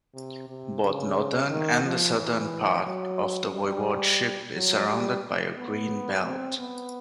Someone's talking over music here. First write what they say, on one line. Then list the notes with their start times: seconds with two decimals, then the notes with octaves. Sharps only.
Both northern and southern part of the voivodeship is surrounded by a green belt.
0.14 C3
0.48 C3
0.82 C#3
1.50 D#3
1.83 F3
2.18 E3
2.86 F#3
3.53 G3
4.55 F#3
4.88 G3
5.57 B3
6.25 C4
6.58 B3